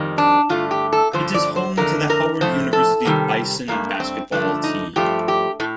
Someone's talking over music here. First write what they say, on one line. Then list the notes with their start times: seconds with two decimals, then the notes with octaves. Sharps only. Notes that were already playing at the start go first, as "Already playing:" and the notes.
It is home to the Howard University Bison basketball team.
Already playing: F2 D#3 G3
0.18 D4
0.49 G2 D3 A3 F4
0.71 G4
0.92 A4
1.13 G2 D3 F3 A3 C5
1.34 D5
1.56 C5
1.77 F2 D3 A3 A#4
2.10 A#4
2.41 A2 F3 A3 C5
2.73 A4
3.05 C3 D#3 G3
3.68 G2 D#3 A3 A#3
4.00 C4
4.32 G2 D3 F3 A3 D4
4.64 D#4
4.96 G2 F3 A3 G4
5.28 G4
5.60 A2 A3